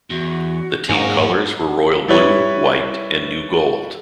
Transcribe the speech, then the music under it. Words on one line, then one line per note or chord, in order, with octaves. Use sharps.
The team colors were royal blue, white and new gold.
E2 F#4
G#2 A#3 C#4 F#4 F5
G3 E4 B4 C#5